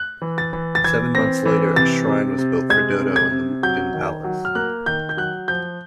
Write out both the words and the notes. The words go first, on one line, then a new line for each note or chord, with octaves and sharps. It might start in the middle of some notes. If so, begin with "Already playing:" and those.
Seven months later, a shrine was built for Dodo in the Mukden Palace.
Already playing: F#6
E3
A6
E3
A6
E3 G#6
C4 A#6
E3
C3 A6
C3
C3
G#3 G#6
C3
G#6
C3
F#3 G6
D#3
F#3
F6
A#3 F#6
D#3 G6
G6
F#3 F#6
F3 G6